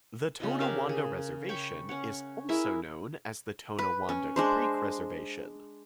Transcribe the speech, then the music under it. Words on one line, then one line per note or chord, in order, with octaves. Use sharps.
The Tonawanda Reservation is also known as the Tonawanda Creek Reservation.
C#3 F4 D#5
G4 A#4 E5 F5
G#4
C#5 G5 B5 C#6
C#4 C#5 F#5
E4 G#4 A#4 E5
B4
C#4
G#3 D4 C5